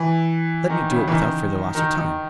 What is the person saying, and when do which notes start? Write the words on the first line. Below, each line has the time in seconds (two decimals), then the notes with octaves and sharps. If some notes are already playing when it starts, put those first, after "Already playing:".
Let me do it without further loss of time.
Already playing: E3
0.69 D#3
0.90 C#3
1.07 E3
1.11 D#3
1.75 D#3
1.96 D#3